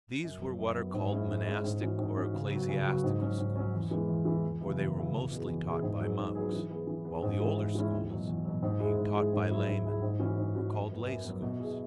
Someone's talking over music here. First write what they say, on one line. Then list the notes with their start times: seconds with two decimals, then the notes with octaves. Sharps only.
These were what are called monastic or ecclesiastical schools, for they were mostly taught by monks; while the older schools, being taught by laymen, were called lay schools.
0.24 F#2
0.41 F#3 B3
0.58 F#2
0.76 F#3 B3
0.94 G#2
1.11 G#3 C#4 E4
1.28 G#2
1.46 G#3 C#4 E4
1.64 G#2
1.81 E3 C#4 F#4
1.98 G#2
2.15 E3 C#4 F#4
2.33 C#3
2.51 F#3 B3 F#4
2.68 C#3
2.86 F#3 B3 F#4
3.03 G#2
3.21 F#3 C#4
3.38 G#2
3.56 F#3 C#4
3.73 E2
3.90 E3 G#3 B3
4.08 E2
4.25 E3 G#3 B3
4.43 E2
4.61 C#3 F#3 B3 E4
4.78 E2
4.95 C#3 F#3 B3 E4
5.13 E2
5.31 B2 B3 E4 G#4
5.48 E2
5.65 B2 B3 E4 G#4
5.82 G#2
6.00 F#3 B3 G#4
6.18 G#2
6.35 F#3 B3 G#4
6.53 E3
6.70 B3 G#4
6.87 E3
7.05 B3 G#4
7.22 G#2
7.40 E3 G#3 C#4 E4
7.58 G#2
7.75 E3 G#3 C#4 E4
7.92 E2
8.10 B2 F#3
8.27 E2
8.45 B2 F#3
8.62 G#2
8.80 G#3 E4 G#4
8.97 G#2
9.15 G#3 E4 G#4
9.33 G#2
9.49 F#3 E4 G#4
9.67 G#2
9.85 F#3 E4 G#4
10.02 G#2
10.20 E3 C#4 F#4
10.37 G#2
10.55 E3 C#4 F#4
10.71 F#2
10.89 F#3 B3
11.07 F#2
11.25 F#3 B3
11.42 B2
11.59 B3 E4 G#4